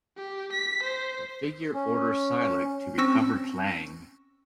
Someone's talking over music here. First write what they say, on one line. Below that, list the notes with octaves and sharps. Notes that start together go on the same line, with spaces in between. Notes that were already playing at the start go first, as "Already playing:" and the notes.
The figure orders Silik to recover Klaang.
G4
B6
C5
C#4
C4 C#4 C#6 E6 A#6